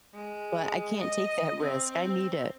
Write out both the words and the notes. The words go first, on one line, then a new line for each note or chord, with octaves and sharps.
but I can't take that risk, I need it.
G#3
D#5
C4